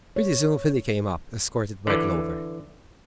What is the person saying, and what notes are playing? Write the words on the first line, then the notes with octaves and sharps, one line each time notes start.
Pretty soon Philly came up, escorted by Clover.
C#5
D3 E3